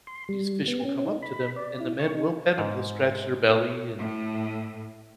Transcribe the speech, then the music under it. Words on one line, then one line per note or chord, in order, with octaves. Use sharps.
these fish will come up to them and the men will pet them, they'll scratch their belly and
C6
G3
B3
C#4
D#4
B5
D5
E4
C#6
D#4
G#2
A2